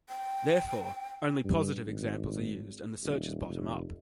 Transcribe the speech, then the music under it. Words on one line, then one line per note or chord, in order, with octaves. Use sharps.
Therefore, only positive examples are used and the search is bottom-up.
G5
G2
G#1
D#1
F1